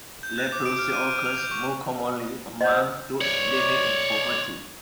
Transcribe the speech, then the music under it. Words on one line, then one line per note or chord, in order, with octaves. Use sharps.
Leprosy occurs more commonly among those living in poverty.
G6
F#6
D6
D7
F6
D#7
D7
F7
G6
C#6
C5 D#5 F#5 G6
C#5 D5